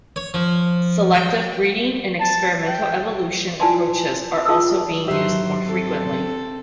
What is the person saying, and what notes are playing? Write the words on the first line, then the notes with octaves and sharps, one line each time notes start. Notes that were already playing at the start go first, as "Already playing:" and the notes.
Selective breeding and experimental evolution approaches are also being used more frequently.
C#5
F3
G5
A5
G5
E4 F4 D5 G#5 A5 C6
F4 G#4 A5 D#6 E6
G#2 D#3 F#3 G4 C5 E5 C6
C4 A4